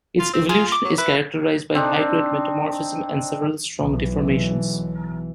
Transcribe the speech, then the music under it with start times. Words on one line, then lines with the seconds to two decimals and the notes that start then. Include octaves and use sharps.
Its evolution is characterized by high-grade metamorphism and several strong deformations.
0.20 F4
0.33 C4
0.49 F4 G#4
0.72 D6
0.85 F#3
0.98 E4 B4
1.75 C4 D4 D#4
3.78 B1 E3